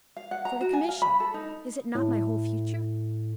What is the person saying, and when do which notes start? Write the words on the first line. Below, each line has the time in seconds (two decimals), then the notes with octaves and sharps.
"For the commission; is it not my whole future?"
0.16 F5
0.31 F#5
0.45 A#5
0.61 F#4
0.73 G#5
0.89 F5
1.02 B5
1.20 A4
1.34 D#4
1.95 A2